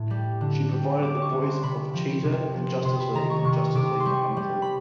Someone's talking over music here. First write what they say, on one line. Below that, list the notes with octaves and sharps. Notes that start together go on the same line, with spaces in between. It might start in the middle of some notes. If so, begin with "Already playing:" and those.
She provided the voice of Cheetah in "Justice League" and "Justice League Unlimited".
Already playing: A2
G3
D3
G3
G3 D6
C#6
D3
C6
C3 B5
F3
C3
F3
C3 C6
B5
D#3 A#5
C#6
C3 C#6
C3 D6
C6
G3 C#6
G3
B5